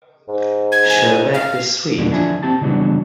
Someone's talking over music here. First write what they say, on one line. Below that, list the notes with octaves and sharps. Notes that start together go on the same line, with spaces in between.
Sherbet is sweet.
G#2
G#6
G#5
F5
E2 B2 D3 E3 G3 A#3
D3 F3 D4 E4 F4 G#5
C4 G4 A5
C#3 E3 F#3 G3 B3 D4